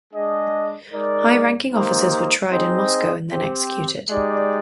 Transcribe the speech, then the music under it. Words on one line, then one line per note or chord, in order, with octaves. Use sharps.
High-ranking officers were tried in Moscow, and then executed.
G#3 D4 G#4 D#5
G#3 D#4 A#4 D5
A#3 D#4 G4 C5
C4 D#4 G#4 C5 D#5
C4 G4 C5
G#3 D#4 G4 D5